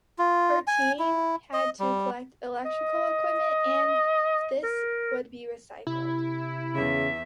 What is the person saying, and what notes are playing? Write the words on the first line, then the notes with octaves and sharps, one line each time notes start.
Her team had to collect electrical equipment, and this would be recycled.
F4
G#5
E4
D#5
G3
D#5
A#4
C3 E4
E2 C#3 E5